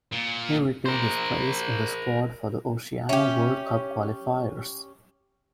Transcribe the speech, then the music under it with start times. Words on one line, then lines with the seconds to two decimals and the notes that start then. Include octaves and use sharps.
He retained his place in the squad for the Oceania World Cup qualifiers.
0.13 A#2
0.86 A#4 C5
3.09 C#4 G4 E5